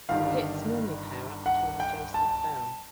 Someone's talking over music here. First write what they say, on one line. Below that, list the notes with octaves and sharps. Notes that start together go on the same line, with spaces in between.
Pits normally pair up between adjacent cells.
G1 G2 D#3 G3 F5
F#5
G5
A5